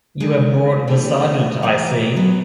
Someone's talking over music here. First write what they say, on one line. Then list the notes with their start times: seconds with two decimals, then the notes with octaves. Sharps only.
You have brought the sergeant, I see.
0.20 D#3 G#3
0.87 D3 E3 A3 B3 C4 G4
1.62 E3 G3 C4 A#4
2.16 F#3 B3